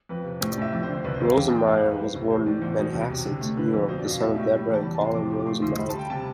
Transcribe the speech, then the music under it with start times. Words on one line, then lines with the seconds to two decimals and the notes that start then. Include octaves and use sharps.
Rosenmeyer was born in Manhasset, New York, the son of Debra and Colin Rosenmeyer.
0.09 F2 B4
0.25 C3
0.41 A2 C5
0.52 D5
0.57 A2 E5
0.72 F2 D5
0.83 C5
0.88 D3
0.93 C5
1.04 C2 B4
1.14 C5
1.20 C2 F5
1.36 E2 G5
1.47 A5
1.51 E2
1.56 G5
1.67 G2 F5
1.83 G3
1.91 B4
1.99 G3 C5
2.14 C2
2.30 E3 C5
2.46 A2 D5
2.62 E2 C5
2.78 B2
2.93 C2
3.10 C3
3.25 D3
3.41 A3
3.57 D3 B4
3.73 F2
3.88 B2 C5
3.99 D5
4.04 B2
4.10 F5
4.20 G3 E5
4.36 A2
4.43 E5
4.52 G3 D5
4.62 B5
4.68 E2
4.74 A5
4.83 E2 B5
4.95 A5
5.00 C3
5.05 C6
5.15 F2 D6
5.31 F3
5.40 D6
5.46 A3 C6
5.62 D2 C6
5.78 G3 B5
5.89 A5
5.94 G3
5.99 G5
6.05 B5
6.10 C3 A5